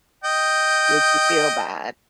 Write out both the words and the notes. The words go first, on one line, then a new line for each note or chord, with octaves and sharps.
make you feel bad
D#5 G5